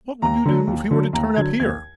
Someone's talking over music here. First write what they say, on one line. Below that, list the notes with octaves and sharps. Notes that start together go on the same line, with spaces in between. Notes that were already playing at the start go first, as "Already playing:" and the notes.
What would you do if he were to turn up here?
D#2 A#5
D3 F#3
D#2
D3 F#3
D#2 A#5
D3 F#3 G#6
D#2 G#6